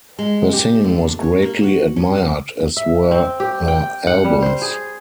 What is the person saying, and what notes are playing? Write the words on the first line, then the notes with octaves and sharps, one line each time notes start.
Her singing was greatly admired as were her albums.
G#3
G4
D3
C#5
A#3
F#4
C#4
E5
C4
G4
G5
F#5
G3
C5
G#4